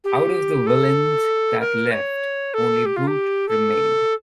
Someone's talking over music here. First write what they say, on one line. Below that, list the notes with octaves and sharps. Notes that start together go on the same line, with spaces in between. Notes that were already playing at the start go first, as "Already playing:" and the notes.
Out of the villains that left, only Brute remained.
G4
A4
A#4
C#5
A4
G4
F4
G4
A4